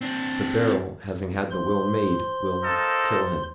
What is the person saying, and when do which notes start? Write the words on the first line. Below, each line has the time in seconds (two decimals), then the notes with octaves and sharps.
But Beryl, having had the will made, will--kill him.
0.01 C4 D4
1.51 C5 C6
2.64 A#3 D#4 A4